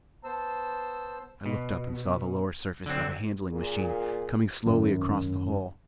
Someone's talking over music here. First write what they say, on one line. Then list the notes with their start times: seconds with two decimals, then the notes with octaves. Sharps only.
I looked up and saw the lower surface of a handling-machine coming slowly across the hole.
0.24 B3 C5 A5 E6
1.46 B2
2.86 D3 F#3 C4
3.51 A#2 G#4
4.65 G#1 F#2